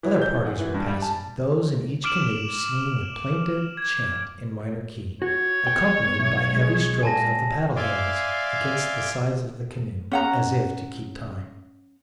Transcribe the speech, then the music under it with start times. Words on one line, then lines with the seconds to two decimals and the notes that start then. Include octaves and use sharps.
Other parties were passing, those in each canoe singing a plaintive chant in minor key, accompanied by heavy strokes of the paddle handles against the sides of the canoe, as if to keep time.
0.03 E3
0.22 G6
0.33 E3
0.45 F#5
0.59 E3
0.74 G2
0.87 G3
1.02 A5
2.04 D6 F6 D7 E7 F#7
3.77 G#6
5.22 F#4 C#5
5.67 G5
6.05 B3
6.20 B1 E5
6.52 G#3
7.03 A#2 G#5 A5 A#6
7.76 D5 E5 F5 G#5 C6 D6
10.11 C#4 F#5 A#5